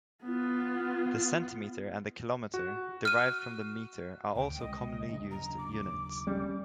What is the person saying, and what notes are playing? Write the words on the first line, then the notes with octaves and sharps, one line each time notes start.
The centimetre and the kilometre, derived from the metre, are also commonly used units.
B3 F4
F#4
F6 D#7
D2 G5
C2 G#3 D#5
F#1 D#2 D4
A#5
D6
G3 C#4